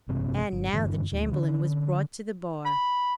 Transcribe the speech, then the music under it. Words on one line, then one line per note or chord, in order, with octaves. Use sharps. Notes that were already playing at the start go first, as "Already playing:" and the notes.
And now the Chamberlain was brought to the bar.
A1 G2 C3 C4
G1
F#1 G2 D3 E3
D#1 D2
D3 C#4
B5